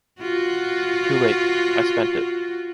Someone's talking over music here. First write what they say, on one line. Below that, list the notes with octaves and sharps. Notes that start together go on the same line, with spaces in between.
Too late. I spent it.
F4 F#4